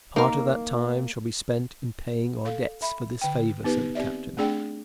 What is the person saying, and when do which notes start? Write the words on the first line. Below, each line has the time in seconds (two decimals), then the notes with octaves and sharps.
"Part of that time shall be spent in paying our debts for this favour," said the captain.
0.16 A#3 D#4 A#4
2.45 A4 F5
2.82 E5 B5
3.21 D3 G5
3.64 B3 D#4 G4 B4
3.95 C4 G4 D5 E5
4.37 A3 C4 D4 G#4 D5 G5